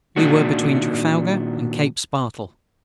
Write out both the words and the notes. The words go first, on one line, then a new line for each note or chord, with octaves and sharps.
We were between Trafalgar and Cape Spartel.
A#2 D#3 G#3 B3 D4 F#4